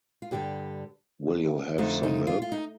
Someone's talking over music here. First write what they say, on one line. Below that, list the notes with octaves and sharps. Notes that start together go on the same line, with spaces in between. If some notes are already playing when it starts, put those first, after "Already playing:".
Will you have some milk?
F4
G2 D3 G3 G4
F2 D3 A3 D#4
D#4
F4
F4
D#4